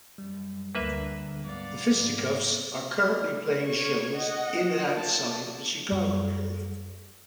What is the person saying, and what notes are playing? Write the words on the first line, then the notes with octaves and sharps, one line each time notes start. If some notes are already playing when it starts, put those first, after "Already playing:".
The Fisticuffs are currently playing shows in and outside the Chicago area.
F#2 G3
D2 D3 A#3 B4 E5 E6
G#2 F3 B3 D5 F5 F#5
C#5 C#6
D#5 F#5
A5
F#2 G3